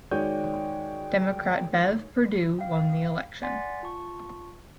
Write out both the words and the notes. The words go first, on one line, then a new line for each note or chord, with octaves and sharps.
Democrat Bev Perdue won the election.
D#3 G#3 F#4 C#5 D5 G5 G6
F5 G5
D5 F#5 G#5 C6 A6 B6
F4 A5 C#6